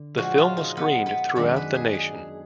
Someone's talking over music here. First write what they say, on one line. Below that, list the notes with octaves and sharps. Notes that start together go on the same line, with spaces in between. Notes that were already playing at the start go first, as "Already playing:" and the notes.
The film was screened throughout the nation.
Already playing: D3
A#2 F3 G#3 F#4
F4
D#4
B3
B3
F#2 D#3 G#3 D4
B4
G#4
G#4